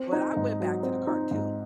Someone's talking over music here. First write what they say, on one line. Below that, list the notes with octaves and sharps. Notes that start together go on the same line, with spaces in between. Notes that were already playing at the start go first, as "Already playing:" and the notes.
but I went back to the cartoon
Already playing: C4
D#4
G#2
F#3
C4
D#4
G#2